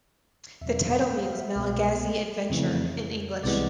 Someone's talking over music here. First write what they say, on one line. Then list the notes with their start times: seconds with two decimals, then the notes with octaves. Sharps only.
The title means "Malagasy Adventure" in English.
0.61 E2 B2 F#3 E5
0.85 F5
1.09 F5
1.33 E5
1.56 C2 B2 G#3 B3
2.50 F2 C#3 E3 A3
3.43 C2 C3 E3 G#3 B3 D5